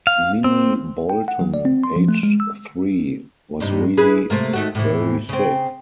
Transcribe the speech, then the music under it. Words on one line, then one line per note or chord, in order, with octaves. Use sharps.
Minnie Bolton, aged three, was really very sick.
F5
C4
G5
F#5
F#3
D5
C4
C6
F3
A3
G#3
E6
G2 C3 D#4
E4 G#4 B4
C3 A3 A#3
D#3 A3 F#4
A2 C3 E3
C#3 C4